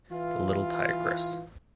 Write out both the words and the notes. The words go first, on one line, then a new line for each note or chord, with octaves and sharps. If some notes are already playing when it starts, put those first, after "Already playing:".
The little tigress.
E3 F4